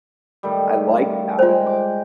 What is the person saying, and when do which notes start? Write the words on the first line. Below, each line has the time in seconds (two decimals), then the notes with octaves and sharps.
I like that.
0.43 A2 D#3 G3
1.39 G#3 F4 C5 G5
1.66 D6